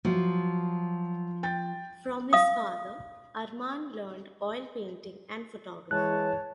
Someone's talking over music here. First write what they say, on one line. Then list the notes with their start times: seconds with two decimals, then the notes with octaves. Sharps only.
From his father, Arman learned oil painting and photography.
0.05 F3 F#3
1.43 G5 A6
2.33 F5 D#6
5.91 E3 G#3 C#5 A5 F#6